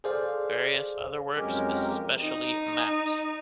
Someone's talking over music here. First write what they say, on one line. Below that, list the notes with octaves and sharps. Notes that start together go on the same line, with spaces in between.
Various other works, especially maps.
G#4 A4 C5 D5 F5
F2 F#3 G#3 C#4 G4 A#4
D#4